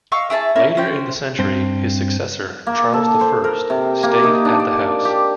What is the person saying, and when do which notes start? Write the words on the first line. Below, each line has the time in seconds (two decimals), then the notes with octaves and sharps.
Later in the century his successor, Charles the First, stayed at the house.
0.12 D#5 F5 C#6 E6
0.30 E4 G#4 E5 A5
0.56 A#3 C#4 E4 A#4
0.77 C#4 C5 G5
1.39 G2 C4 C5
2.67 A#3
2.93 A4
3.21 C5
3.44 A#4
3.70 C3
4.03 A#3
4.24 D#4
4.45 D4
4.60 D5
5.05 G4